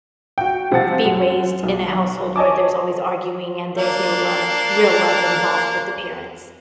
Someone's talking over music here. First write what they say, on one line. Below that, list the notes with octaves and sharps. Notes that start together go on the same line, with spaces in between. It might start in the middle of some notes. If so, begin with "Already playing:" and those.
n be raised in a household where there's always arguing and there's no love real love involved with the parents."
F#4 G5
C3 F3 F#5 A6
F#2 F#5
B1
C#5 D#5 G#5 A5 D6
A#3 D4